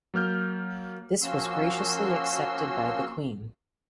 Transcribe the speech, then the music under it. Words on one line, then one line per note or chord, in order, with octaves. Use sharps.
This was graciously accepted by the Queen.
F#3 A#3 F6 G6
F3 A#3 C#4 F#4 C6 E6